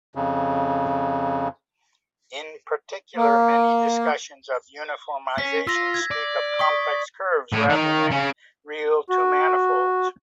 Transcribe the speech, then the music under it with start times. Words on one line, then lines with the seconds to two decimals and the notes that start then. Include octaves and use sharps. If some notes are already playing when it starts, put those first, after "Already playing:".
In particular, many discussions of uniformization speak of complex curves rather than real two-manifolds.
0.15 F2 C#3
3.17 A#3
5.38 C#4 B6
5.67 F4 E6 A#6
5.94 G#6
6.11 D5
6.59 C#6 D#6 B6
7.52 A2
7.69 D#3
8.10 C#3
9.09 F#4